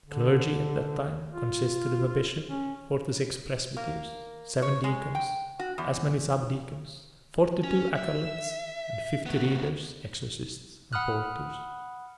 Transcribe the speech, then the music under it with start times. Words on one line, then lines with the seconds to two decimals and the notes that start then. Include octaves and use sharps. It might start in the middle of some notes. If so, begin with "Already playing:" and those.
The clergy, at that time, consisted of a bishop, forty-six presbyters, seven deacons, as many sub-deacons, forty-two acolythes, and fifty readers, exorcists, and porters.
0.06 D3
1.32 F4
2.50 C#4
3.77 A#3
4.62 C#5
4.84 G#3
5.15 G5
5.59 F#4
5.78 E2
7.64 C#4
7.96 E5
9.26 A3 B3
10.93 F#5 B5 D#6 F6 F#6